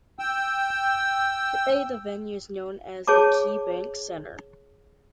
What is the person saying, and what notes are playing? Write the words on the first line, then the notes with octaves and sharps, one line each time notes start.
Today, the venue is known as the KeyBank Center.
G5 E6
G#4 C#5 A5 D6